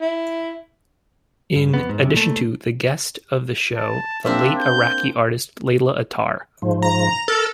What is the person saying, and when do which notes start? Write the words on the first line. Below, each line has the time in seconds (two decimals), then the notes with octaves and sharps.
In additionto the guest of the show, the late Iraqi artist Layla Attar.
0.01 E4
1.56 G2
1.74 F2 B3
1.89 G#2
2.02 C2 F#2 C3
2.14 A#2 A3
3.76 A5
4.25 A#3 C4 D4 E5
4.59 G6
6.62 G#2 F3
6.82 A#5
7.28 A4 A#4